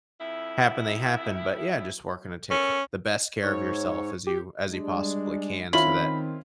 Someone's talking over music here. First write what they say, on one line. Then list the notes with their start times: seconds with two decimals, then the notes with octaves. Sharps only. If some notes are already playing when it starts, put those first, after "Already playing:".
happen, they happen, but yeah, just working to take the best care of yourself as you as you possibly can so that
0.19 F2 E4
2.51 B3 C#4 A4 A#4
3.43 G#2 C#5
4.27 G4
4.70 G3 G#3 D4
5.73 D#3 C4 C#4 E4 F4 B5